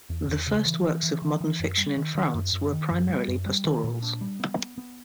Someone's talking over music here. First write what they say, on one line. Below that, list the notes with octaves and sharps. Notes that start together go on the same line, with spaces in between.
The first works of modern fiction in France were primarily pastorals.
E2
E2
C#3
E3
E3
E3
E3
E3
F#2
G3
D#3
D#3
F#2
F#2
D#3
F#2
G3
F#2
G3
D#3
A#2
D4
G3
B3
B3
B3